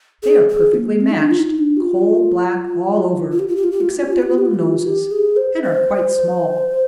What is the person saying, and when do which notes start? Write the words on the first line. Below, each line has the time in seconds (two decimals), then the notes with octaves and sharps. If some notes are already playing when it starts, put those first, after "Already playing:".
They are perfectly matched--coal-black all over, except their little noses, and are quite small.
0.23 G#4
0.49 G#4
0.74 A#3
1.00 C4
1.10 D#4
1.19 D4
1.31 F4
1.39 D#4
1.58 D4
1.77 G4
1.80 F4
3.31 F4
3.39 G4
3.48 F4
3.56 G4
3.64 F4
3.72 G4
3.81 F4
3.89 G4
3.96 F4
4.05 G4
4.13 F4
4.22 G4
4.30 F4
4.38 G4
4.45 F4
4.54 G4
4.63 F4
4.86 G4
5.11 G#4
5.36 C5
5.63 C5